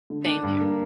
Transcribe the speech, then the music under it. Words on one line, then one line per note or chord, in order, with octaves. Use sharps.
Same here.
D3
D4
G2
A#3